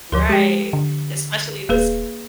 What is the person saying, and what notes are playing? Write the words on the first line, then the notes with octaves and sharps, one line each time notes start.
Right, especially if it's
D2 F3 A#4 C6
G#3 G4 G5
D3
D#1 A#3 G#4 B4